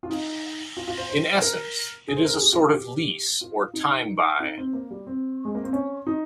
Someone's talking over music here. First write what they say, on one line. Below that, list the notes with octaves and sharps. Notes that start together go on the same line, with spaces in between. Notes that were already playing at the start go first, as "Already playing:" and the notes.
In essence, it is a sort of lease or time-buy.
F4
D#4
F4
F4
C5
C5
A#4
G#4
C5
A#4
G#4
G4
F4
G4
F4
D#4
D#4
C4
A#3
G3
C4
G#3
A#3
C4
C#4
D#4